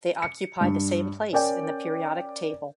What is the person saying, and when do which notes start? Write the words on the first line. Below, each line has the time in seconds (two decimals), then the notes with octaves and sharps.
They occupy the same place in the periodic table.
0.22 C#7
0.61 G2 D4
1.33 C#4 A#4 D5 G5